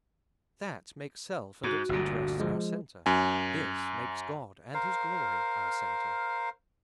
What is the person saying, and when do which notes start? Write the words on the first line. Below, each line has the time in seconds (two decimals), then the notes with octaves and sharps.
That makes self and its interests our centre; this makes God and his glory our centre.
1.64 G#2 F#4
1.89 G1 D2 A#2
2.40 F3 G#3
3.06 F#2 G#5
4.74 A#4 C5 F5